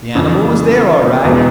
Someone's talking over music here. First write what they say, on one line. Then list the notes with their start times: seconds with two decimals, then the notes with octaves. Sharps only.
The animal was there all right.
0.15 F2 C#3 E3
1.24 E1 E2 B2 G#3